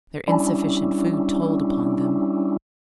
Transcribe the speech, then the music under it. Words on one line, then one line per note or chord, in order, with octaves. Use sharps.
Their insufficient food told upon them.
G3 C#4 D4 E4